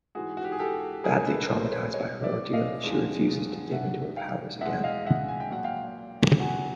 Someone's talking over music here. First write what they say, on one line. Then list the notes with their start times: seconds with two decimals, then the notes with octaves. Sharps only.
Badly traumatized by her ordeal, she refuses to give in to her powers again.
0.15 G#2 E3 G#3 F#4 G#4
0.37 F#4
0.45 G4
0.52 G#4
0.59 G4 A4
1.04 A2 F#3 G#4 A#4
1.23 A#4
1.26 A4 B4
1.49 A#4 C5
1.71 B4 C#5
1.94 B2 G3 C#5 D#5
2.24 D5 E5
2.53 D#5 F5
2.83 E2 C#3 F3 G#3
3.72 G2 D#3 F#3 E5 F#5
4.16 F5 G5
4.61 E2 B2 G#3 E5 F#5
4.84 D#5 F5
5.06 E5 F#5
5.28 G#5
5.40 G5
5.50 A#2 F#3 F#5
5.64 F5 G5
6.40 E2 B2 F#3 F#5 G#5